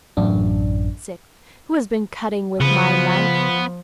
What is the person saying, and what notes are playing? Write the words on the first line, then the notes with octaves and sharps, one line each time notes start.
The sixth, "Who has been cutting with my knife?"
A1 F#2 D4
C#3 F3 B3